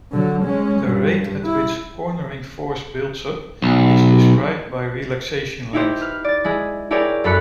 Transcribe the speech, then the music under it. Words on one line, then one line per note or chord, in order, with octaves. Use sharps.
The rate at which cornering force builds up is described by relaxation length.
D3 F#3
G#3 C#4
G2
E4
B1
D#4 E4 G4 C5
B4 F6
D5 A6
G#3 E4 G#4
E4 G4 G#4 A#4 C#5 D5
F#2 A4 B5 F#6 C#7